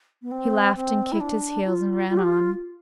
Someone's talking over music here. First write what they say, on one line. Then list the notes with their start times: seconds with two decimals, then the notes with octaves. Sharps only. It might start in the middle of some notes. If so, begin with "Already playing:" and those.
He laughed and kicked his heels and ran on.
0.22 B3
0.31 C4
0.76 C4
1.12 E4
1.20 D4
1.65 F4
2.09 F4
2.17 G4
2.23 F4